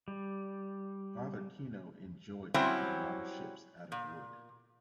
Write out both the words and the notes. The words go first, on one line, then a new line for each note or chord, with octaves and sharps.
Father Kino enjoyed making model ships out of wood.
G3
F#3 G3 C4 C#4 E4 C5
A#2